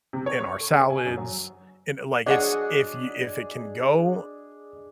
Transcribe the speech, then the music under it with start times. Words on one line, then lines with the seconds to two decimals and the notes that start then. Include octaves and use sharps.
in our salads, and, i like, it's if you if it can go,
0.13 C3
0.26 C#5
0.41 C#6
0.60 A4
0.73 C#3
0.90 G#5
1.06 F#2
1.18 F#3
2.26 F#3 D4 G#4 C#5 D#5 F#5